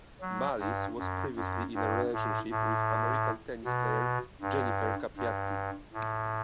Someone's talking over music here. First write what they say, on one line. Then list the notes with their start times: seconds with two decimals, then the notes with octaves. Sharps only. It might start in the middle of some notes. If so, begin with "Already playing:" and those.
Malisse was previously in a relationship with American tennis player Jennifer Capriati.
0.21 F#3
0.59 G2
0.98 F#2
1.36 F#2
1.74 G2
2.12 A2
2.50 A2
3.65 B2
4.41 G2
5.17 G2
5.93 A2